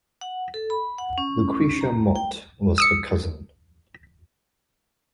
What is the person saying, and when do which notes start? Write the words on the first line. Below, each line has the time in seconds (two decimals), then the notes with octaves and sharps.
Lucretia Mott was her cousin.
0.21 F#5
0.54 A4
0.70 B5
0.98 F#5
1.18 C#4
1.81 A#5
2.15 G5
2.78 D#6 E6 C#7